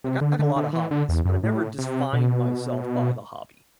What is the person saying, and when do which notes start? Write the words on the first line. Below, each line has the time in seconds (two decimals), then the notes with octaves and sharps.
Like, I have a lot of hobbies, but I've never defined myself by the hobby.
0.04 C3
0.21 D3
0.39 D3
0.56 D3
0.73 E3
0.91 D3
1.09 E2
1.25 F#2
1.44 A2
1.78 C3
2.13 B2